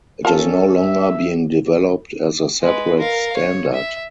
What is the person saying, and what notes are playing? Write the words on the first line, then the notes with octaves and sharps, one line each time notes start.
It is no longer being developed as a separate standard.
C#4 F4 A4 A#4 A5
E5
G#3 B4
A#4 F5
C#5
E5